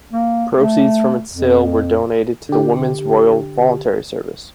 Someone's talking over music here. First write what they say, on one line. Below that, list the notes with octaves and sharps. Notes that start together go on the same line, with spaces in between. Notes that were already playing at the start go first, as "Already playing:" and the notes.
Proceeds from its sale were donated to the Women's Royal Voluntary Service.
A#3
A3
F2
D3 G4